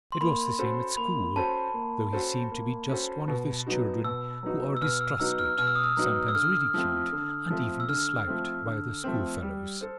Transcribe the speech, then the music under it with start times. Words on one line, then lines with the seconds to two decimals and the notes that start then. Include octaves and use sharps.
It was the same at school, though he seemed to be just one of those children who are distrusted, sometimes ridiculed, and even disliked by their schoolfellows.
0.12 C6
0.21 A#3 B5
0.59 C#4 F#4 A4 C5
0.97 A#3 B5
1.36 C#4 F#4 A4 C5 A5
1.74 A#3
2.13 C#4 F#4 A4 C5
2.51 A#3
2.89 C#4 F#4 A4 C5
3.28 B2
3.66 F#3 B3 D#4 F#4
4.04 B2 E6
4.43 F#3 B3 D#4 F#4
4.77 E6
4.82 B2 F6
5.01 E6
5.20 F#3 B3 D#4 F#4 E6
5.39 F6
5.58 B2 F6
5.67 E6
5.75 D#6
5.84 E6
5.97 F#3 B3 D#4 F#4
6.28 E6
6.35 D3 F6
6.74 F3 A3 C4
7.12 D3
7.50 F3 A3 C4
7.80 E6
7.89 D3 F6
8.27 F3 A3 C4
8.65 D3
9.04 F3 A3 C4
9.42 G3
9.81 A4 C5